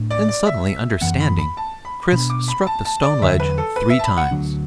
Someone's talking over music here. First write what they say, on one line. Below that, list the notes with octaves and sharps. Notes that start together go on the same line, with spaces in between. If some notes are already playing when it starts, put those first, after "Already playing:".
Then, suddenly understanding, Chris struck the stone ledge three times.
Already playing: A2 A3 D4
D5
D5
E5
F#2 E3 B3 F#5
B5
B5
A5
B5
B2 B3 D4 B5
D6
B5
A5
A5
D5
E2 D3 F#3 E5
B4
A4
B4
E5
A5
B5
F#5
D2 D3 F#3 D4